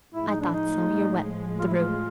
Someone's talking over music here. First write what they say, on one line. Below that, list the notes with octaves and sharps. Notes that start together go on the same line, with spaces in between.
'I thought so; you're wet through.'
A2 F3 G#3 E4
D#4
D4
D#4
F4
E4
F4